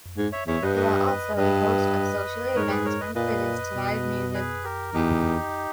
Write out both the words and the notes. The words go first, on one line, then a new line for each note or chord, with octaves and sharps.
There are also a host of social events from quizzes to live music.
G#2
C#5 E5
E2 C#5 E5
G2 B4 D#5
B4 D#5
B4 D#5
G2 B4 D#5
G#2 A#4 C#5
G#4 B4
A#4 C#5
B4 D#5
A#2 B4 D#5
B2
G#4 B4
G4 A#4
E2 D#4 G4